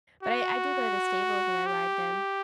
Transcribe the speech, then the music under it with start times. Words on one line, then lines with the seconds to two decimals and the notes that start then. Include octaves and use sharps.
But I I do go to the stables and I ride them
0.23 F#4
1.66 G4